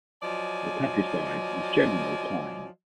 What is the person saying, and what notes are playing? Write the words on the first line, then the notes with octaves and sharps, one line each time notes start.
The countryside is generally plain.
F3 F#3 D5 D#5 G#5